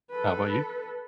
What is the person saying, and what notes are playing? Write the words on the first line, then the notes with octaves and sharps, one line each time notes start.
How 'bout you?
A4 B4